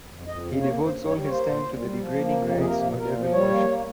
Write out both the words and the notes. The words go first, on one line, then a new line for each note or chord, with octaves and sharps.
He devotes all his time to the degrading rites o devil-worship.
F2
F2 D#5
C#3
A#3 C#5
G2
C5
G2
C#5
G3
C#5
A#3 C5
A#2
A#2
G3
F3
A#3
F2
C3
G#4
A#3 A#4
A#2
A#2 A#4
F3
G3 C#5
A#3